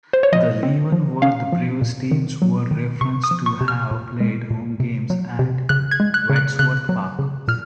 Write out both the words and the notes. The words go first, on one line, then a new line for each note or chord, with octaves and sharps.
The Leavenworth Braves teams were referenced to have played home games at Wadsworth Park.
C5
C#5
F3 D#5
C4
F3
C#4 F5
F3
A#2
D#3
F#3
D#3
C3 C#6
D#6
F3
C#6
C3
F6
A#2
G#3
A#2
C3
F#3
C3
C#3 F#6
G#6
G#3
F#6
C#3
F#6
C#3 F#6
F#3
C#3
A#2 F6